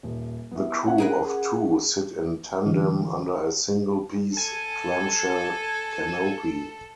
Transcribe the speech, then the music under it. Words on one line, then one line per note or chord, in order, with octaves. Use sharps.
The crew of two sit in tandem under a single-piece clamshell canopy.
D#1
B3 E4
C#4 F#5
G#4 A#4 B4
D3 E3 G#3 C#4 F4
A4 G#5